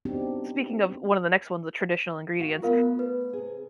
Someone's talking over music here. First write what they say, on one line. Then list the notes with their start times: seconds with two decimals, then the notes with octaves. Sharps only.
speaking of one of the next ones, the traditional ingredients.
0.05 B3 C4 D4 D#4 F#4 G4
2.40 F#4 F5 F#5
2.62 A3 B3 F4 A#4 F5
2.99 B4
3.33 C3 G#4